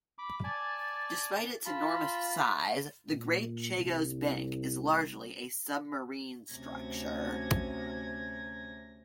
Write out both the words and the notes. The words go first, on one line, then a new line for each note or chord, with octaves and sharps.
Despite its enormous size, the Great Chagos Bank is largely a submarine structure.
B5 D6
D5 G#5 A5
F4 A5 B5
A#2
C2
D2 C3 C#4 G#6 A#6